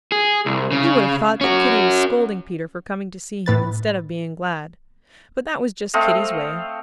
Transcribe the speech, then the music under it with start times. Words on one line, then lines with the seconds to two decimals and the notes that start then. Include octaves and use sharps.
You would have thought that Kitty was scolding Peter for coming to see him instead of being glad. But that was just Kitty's way.
0.12 G#4
0.46 C2
0.71 C#3
1.41 C#4 F#4
3.46 A2 B4 A6
5.94 A3 C4 D#5 F5